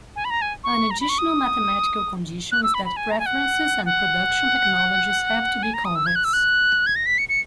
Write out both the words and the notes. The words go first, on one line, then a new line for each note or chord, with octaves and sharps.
An additional mathematical condition is that preferences and production technologies have to be convex.
G#5
B5
A#5
G#5
C#6
A#5
B5
C#6
D#6
F#6
E6
B5
B5
G#5
A#5
G#5
F#5
F#5
G#5
A#5
D#6
E6
G#6
F#6
E6
F#6
G#6
A#6
B6
C#7
C#7